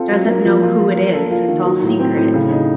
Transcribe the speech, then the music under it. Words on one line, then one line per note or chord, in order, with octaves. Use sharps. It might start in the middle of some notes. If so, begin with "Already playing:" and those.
doesn't know who it is, it's all secret,
Already playing: C4 F4 A4
F#3
A#3
F3
F4
F3
A#3
A4
F4
D#3
F#3
A2
C4
A2
C#3
D#4